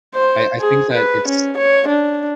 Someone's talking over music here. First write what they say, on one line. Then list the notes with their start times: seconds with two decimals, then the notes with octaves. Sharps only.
I I think that it's
0.15 C5
0.60 G#4
0.93 B4
1.29 C#4
1.58 C#5
1.89 D4